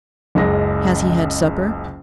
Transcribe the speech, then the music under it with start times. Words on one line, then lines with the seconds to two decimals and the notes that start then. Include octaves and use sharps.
Has he had supper?'
0.35 F#1 C#2 G#3 A#6